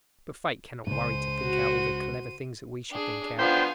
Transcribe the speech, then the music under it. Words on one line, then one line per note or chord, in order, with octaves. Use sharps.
But Fate cannot worry to think out all the clever things that we should think out.
C#2 G2 C5 D#7
F#4
D4 G#4
F3 B3 D4 F4 C5 G5 G#5